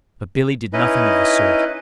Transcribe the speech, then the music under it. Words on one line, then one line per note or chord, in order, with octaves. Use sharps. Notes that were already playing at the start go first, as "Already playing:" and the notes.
But "Billy" did nothing of the sort.
C#4 D#4 E4 B4 D#5